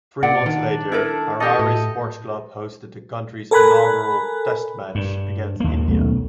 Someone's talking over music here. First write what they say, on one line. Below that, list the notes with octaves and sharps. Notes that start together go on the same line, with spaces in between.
Three months later, Harare Sports Club hosted the country's inaugural Test match, against India.
A#2 D5 F#5
D#3 D4
E4 A4 A#4
E4 G4 A4 D#5
A2
A4 A#4 G#5 B5 F#6
G2
D#2 A#3
B1 A3